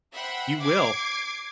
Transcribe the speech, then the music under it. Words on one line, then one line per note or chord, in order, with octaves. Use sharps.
you will.
C5 E5 F#5 G5 B5
D6 G#6 C7 D7